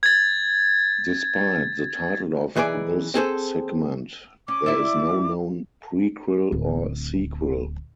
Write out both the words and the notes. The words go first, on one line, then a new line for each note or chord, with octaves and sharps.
Despite the title of this segment, there is no known prequel or sequel.
G#6 A6
B1 E3 G#4 C5 D5
C4 G#4 A4 C5
C#4 D6
E4 D5 E5
D1